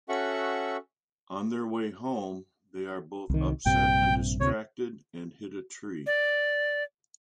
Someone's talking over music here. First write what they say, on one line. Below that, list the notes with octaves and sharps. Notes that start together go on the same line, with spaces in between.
On their way home, they are both upset and distracted and hit a tree.
C#4 F#4 A4 E5 F#5 C#6
C2 D#3
A#1 G2 C3 G5
D2 C3 C#5
D5